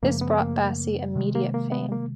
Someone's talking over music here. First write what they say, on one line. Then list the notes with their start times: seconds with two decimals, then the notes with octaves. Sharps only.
This brought Bassi immediate fame.
0.03 F#2 C#3 F3 A3 A#3
0.21 B3
0.40 A#3
1.15 C3 D#3 G#3
1.35 A#3
1.54 A#3
1.72 B3
1.92 A#3